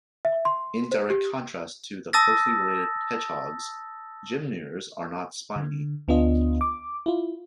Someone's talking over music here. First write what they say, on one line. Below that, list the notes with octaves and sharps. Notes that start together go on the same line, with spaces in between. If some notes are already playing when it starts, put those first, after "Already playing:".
In direct contrast to the closely related hedgehogs, gymnures are not spiny.
E5
C6
C5
G4
A5 D#6 E6 A6 A#6
D3
D2 B3 D4 F4 D#5
D6
E4 F4